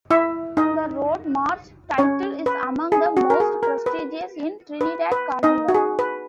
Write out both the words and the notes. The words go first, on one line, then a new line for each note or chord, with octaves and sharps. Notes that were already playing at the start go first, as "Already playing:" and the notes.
The Road March title is among the most prestigious in Trinidad Carnival.
E4 E5
D#4 D#5
C#4 C#5
B4
G#4
F#4
A#4
G#4
A#4
B4
B4
B4
D#4 D#5
F#4
G#4
B4